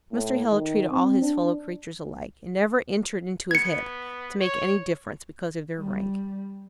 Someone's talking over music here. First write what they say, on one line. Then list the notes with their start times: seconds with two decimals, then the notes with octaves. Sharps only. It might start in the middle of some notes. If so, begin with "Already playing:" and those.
Mr. Hale treated all his fellow-creatures alike: it never entered into his head to make any difference because of their rank.
0.12 A2
0.51 D#3
0.90 C4
1.22 D4
3.51 B3 G#6 C#7
4.40 C#5
5.78 G3